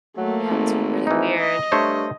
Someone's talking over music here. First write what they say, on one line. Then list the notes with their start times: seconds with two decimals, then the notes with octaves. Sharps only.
Yeah, it's really weird.
0.17 F#3 A3 A#3
0.51 G#1
1.07 E3 D#4
1.39 D#5
1.72 G2 A3 C5 C#5